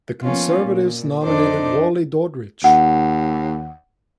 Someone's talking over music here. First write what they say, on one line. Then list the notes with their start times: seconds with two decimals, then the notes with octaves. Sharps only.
The Conservatives nominated Wally Daudrich.
0.23 F3 A#3 B3 C#4 F4
0.60 A#2
1.22 F2 D4 D#4 A4 C5 D6
2.64 D#2 F#5